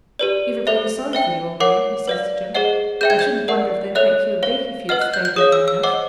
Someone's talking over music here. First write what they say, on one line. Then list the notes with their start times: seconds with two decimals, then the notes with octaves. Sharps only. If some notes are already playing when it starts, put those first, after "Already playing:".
Everybody is sorry for you, old man,' he says to Jim. 'I shouldn't wonder if they'd make you a beak if you'd stayed there long enough.
0.19 G4 B4 D5
0.67 A4 C5 E5
1.13 C5 E5 G5
1.60 A#4 C#5 F#5 D6
2.08 B4 D5 F5
2.55 G#4 C5 D#5 F#5
3.01 G#4 C5 E5 G5 G6
3.10 G#6
3.19 G6
3.48 A#4 D5 F#5
3.95 A4 C#5 E5 F#6
4.43 C5 F5
4.89 B4 D#5 F#5 F6
5.02 F#6
5.14 G6
5.25 G6
5.36 G#4 C#5 F5 D#6
5.52 E6
5.68 E6
5.83 C5 D#5 F#5 D6